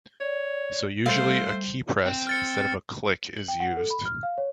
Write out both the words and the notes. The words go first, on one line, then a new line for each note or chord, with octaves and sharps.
So usually a keypress instead of a click is used.
C#5 D5
G3 A3 C5 F5
C4
F6 A6 C#7
F#7
G5
F#5
A4
B5
F6
F5
C#5